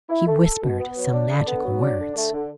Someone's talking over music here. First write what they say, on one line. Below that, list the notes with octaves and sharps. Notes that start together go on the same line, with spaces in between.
She whispered some magical words.
E4
A3
A4
B2
B3
F#3
D4
D3
B3
F#3
D4
D3
A3
D3